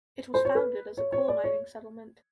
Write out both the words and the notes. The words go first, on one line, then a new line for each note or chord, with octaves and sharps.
It was founded as a coal mining settlement.
C5
C#5
B4
C#5
C#5
D5
C#5